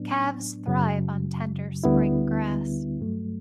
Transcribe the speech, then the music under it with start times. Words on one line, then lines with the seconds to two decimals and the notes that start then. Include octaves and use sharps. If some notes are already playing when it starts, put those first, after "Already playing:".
Calves thrive on tender spring grass.
Already playing: A2 F#3 B3 D4
0.67 F#2 C#3 F#3
1.84 D2 D3 G3 B3 E4
3.00 G2 F#3 A3